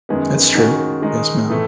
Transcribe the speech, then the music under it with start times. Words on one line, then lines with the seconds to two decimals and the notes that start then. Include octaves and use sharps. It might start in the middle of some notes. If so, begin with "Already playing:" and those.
It's true. Yes, ma'am.
0.09 F#2 D#3 G#3 B3
0.55 D#3 G#3 C#4 F#4
1.02 D#3 G#3 D#4
1.50 A2 E3 A3